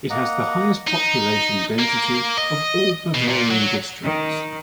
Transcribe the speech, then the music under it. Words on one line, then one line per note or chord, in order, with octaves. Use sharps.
It has the highest population density of all Bavarian districts.
A#3 D#5 F#5 A#5
D#4
A#3
D#5
B2
A#2
F#3
D#3